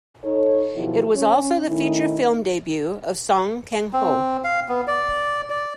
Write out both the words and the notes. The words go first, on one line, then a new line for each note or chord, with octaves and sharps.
It was also the feature film debut of Song Kang-ho.
D#4 A4 C#5
B2 D#3 F3 F#3 E4 G4
C#4
D#3 A3 C#4 D#4 E4
C4
F5
B3
D5
D5